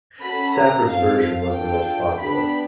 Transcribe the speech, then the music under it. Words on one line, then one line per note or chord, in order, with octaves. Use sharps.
Stafford's version was the most popular.
C#4 F#4 A4 B5
A#5
C4 F4 A4 F5
F5
D4 F4 A4 G5
B3 D4 G4 B5